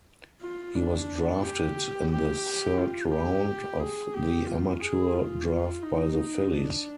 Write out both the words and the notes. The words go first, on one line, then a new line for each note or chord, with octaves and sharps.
He was drafted in the third round of the amateur draft by the Phillies.
F4
D4
G4
G4
F4
G4
G#4
G4
F4
G#4
F4
D#4
D4